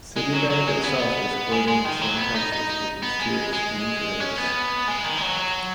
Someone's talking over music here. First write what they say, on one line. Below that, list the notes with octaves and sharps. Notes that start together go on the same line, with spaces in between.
Citibank itself is quoting the same prices for these two exchange rates.
G#3
F#3
F#3
G#3
B3
G#3
G#3
D#3
F#3
B3
D#4
D#4
D#4
B3
G#3
G#3
C#4
B3
G#3
D#3
G#3
F#3